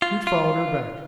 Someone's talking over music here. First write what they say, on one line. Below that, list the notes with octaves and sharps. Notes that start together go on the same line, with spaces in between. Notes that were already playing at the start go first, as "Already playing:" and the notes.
Jude followed her back.
F4
F4